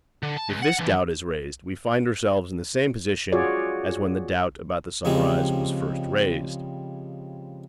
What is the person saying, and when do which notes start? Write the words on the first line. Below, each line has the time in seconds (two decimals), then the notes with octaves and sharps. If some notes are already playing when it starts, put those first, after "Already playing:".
If this doubt is raised, we find ourselves in the same position as when the doubt about the sunrise was first raised.
0.23 D3
0.37 A5
0.50 C#2
0.63 F#5
0.79 D3 E3
3.32 F4 F#4 G#4 C#5 D5
5.05 C#3 F3 G3 G#3 C4